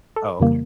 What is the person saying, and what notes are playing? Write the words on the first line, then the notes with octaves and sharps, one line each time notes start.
Oh, okay.
A4
F2 C#3 E3 G3 A#3